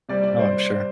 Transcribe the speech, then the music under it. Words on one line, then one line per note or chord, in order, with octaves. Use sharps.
Oh, I'm sure.
C3 G3 C4 D5
D5
C5